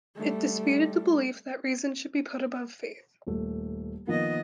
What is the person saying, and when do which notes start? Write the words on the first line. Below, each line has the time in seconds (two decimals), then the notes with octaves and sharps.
It disputed the belief that reason should be put above faith.
0.16 G3 A3
3.27 D#1 A3
4.07 D#3 F3 A#3 B3 D#5